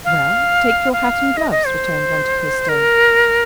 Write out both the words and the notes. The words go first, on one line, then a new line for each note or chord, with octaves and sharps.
"Well, take your hat and gloves," returned Monte Cristo.
F5
F5
D#5
D#5
C5
A#4